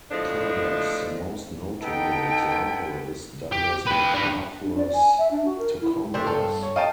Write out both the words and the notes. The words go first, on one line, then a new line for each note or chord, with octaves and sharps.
Perhaps the most notable example is Douglas MacArthur's to Congress.
E2 A2 F3 G#3 A3 D4
B3 D#4 A4 G5
G4
B4 G5
D4 B4
D4
D5
G#5
E5
D4
F#4
A#4
E4
C3 A3 D4 C5
G2 A4 F5
C#5
D#5 F5 G5 A5